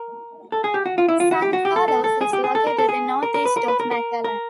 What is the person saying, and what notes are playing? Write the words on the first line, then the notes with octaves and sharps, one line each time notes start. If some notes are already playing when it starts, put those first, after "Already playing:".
San Carlos is located northeast of McAllen.
Already playing: A#4
A4
G#4
G4
F#4
F4
E4
F4
F#4
G4
F#4
G4
A4
A4
A4
G#4
G4
G#4
A4
A#4
A4
G#4
A#4
A#4
B4
A#4
B4
A#4
A#4
A#4